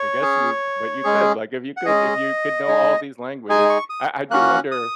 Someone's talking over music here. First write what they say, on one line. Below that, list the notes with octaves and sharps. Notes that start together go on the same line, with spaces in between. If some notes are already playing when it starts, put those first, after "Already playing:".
I guess you but you could, like, if you could if you could know all these languages, I I do wonder
Already playing: C#5
C#4 G#4
G#3 C#4 G#4
F#5
G#3 C#4 G#4 D#5
G#3 D#4 G#4
G#3 D#4 G#4 G#5
C#6
D#6
A#3 C#4 F#4 F#6
D#6